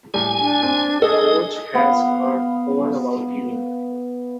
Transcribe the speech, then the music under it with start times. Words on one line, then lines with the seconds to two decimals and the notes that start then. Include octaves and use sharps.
Coach has heard all about you.
0.14 A2 G3 G#5
0.40 D4
0.63 C4
1.02 G#4 A4 D#5
1.75 B3 F5